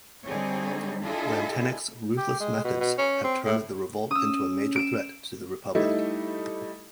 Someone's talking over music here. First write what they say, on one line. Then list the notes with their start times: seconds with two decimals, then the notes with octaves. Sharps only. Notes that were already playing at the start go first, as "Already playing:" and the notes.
Lantenac's ruthless methods have turned the revolt into a major threat to the Republic.
0.25 D3 G3 C4 D#4 G#4 C#5
1.02 D4 E4 F4 G#4 A4 D#5
2.18 G4
2.40 G#3
2.65 B2
2.80 B2
2.98 C#4
3.24 C4
3.46 A2
4.11 C#4 D#6 E6
4.76 D7 E7
5.75 G3 A3 D#4 E4